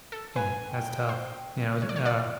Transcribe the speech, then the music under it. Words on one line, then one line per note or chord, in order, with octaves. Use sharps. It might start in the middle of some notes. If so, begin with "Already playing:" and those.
Man, that's tough. Yeah, I was uh
A4
B4 G#5
G5
C5
C#5
D5
C#5
D5